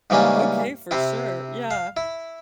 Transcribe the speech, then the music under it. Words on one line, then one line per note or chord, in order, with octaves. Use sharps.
Okay, for sure, yeah.
G#2 C#3 E3 G3 A#3 C#4
C3 C4 E4
F5
E4